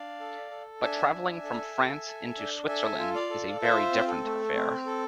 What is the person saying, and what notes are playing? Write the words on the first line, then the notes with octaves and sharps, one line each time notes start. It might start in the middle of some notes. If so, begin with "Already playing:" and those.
But travelling from France into Switzerland is a very different affair.
Already playing: D4 D5 F5
A4
A4
D4 E5 G#5
D4
A4
A4
A4
D4
A4 E5 G#5
F4
D5 F5
A4
F4 C5 E5
C4
A4
A3
C4
A4